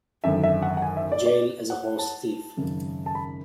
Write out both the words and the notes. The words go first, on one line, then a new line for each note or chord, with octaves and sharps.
Jail as a horse thief.
G#1 F#2 D3 E5
E5
F#5
F#5
G#5
E5
D5
D5
F#5
A5
G#1 F#2 C#3
A5
B5